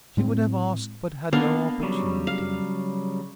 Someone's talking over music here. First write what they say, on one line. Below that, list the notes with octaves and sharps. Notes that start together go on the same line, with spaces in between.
She would have asked, but had no opportunity.
A2 G#3 A3 C4
A#3 B3 D4 F5
C#3 F#3 G3
F5